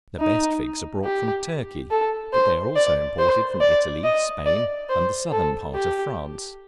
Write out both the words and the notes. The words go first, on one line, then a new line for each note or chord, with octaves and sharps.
The best figs are brought from Turkey, but they are also imported from Italy, Spain, and the southern part of France.
D#4
G4
A4
C5
D5
C5
D5
D#5
D5
C5
A4
G4